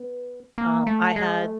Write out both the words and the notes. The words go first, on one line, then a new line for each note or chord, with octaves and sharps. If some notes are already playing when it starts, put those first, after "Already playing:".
um, I had
Already playing: B3
A#3
A3
G#3
A3